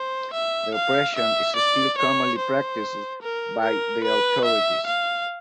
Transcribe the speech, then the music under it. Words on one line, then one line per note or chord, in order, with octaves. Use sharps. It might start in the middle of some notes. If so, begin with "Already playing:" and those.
The oppression is still commonly practiced by the authorities.
Already playing: C5
E5
F5
E5
D5
C#5
C5
A#4
A#4
B4
E5
F5